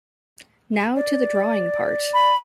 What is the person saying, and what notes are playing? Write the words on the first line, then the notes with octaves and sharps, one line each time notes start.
Now to the drawing part.
D5
B5